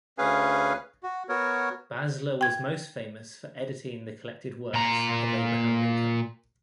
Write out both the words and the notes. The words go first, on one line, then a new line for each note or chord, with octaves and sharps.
Basler was most famous for editing the collected works of Abraham Lincoln.
D2 C#4 G#4 B4 F5 G#5
F#4
B3 F#4 A#4 C#5
G5 G#6
A#2 A#5